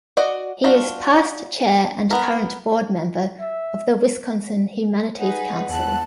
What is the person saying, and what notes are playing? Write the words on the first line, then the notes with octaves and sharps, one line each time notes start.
He is past Chair and current board member of the Wisconsin Humanities Council.
F#4 D5 D#5 F#5
G3 D4 F4 F#4
B3 A#4
E5
D#4 G#4 B4 F#5
E2 A5 F#6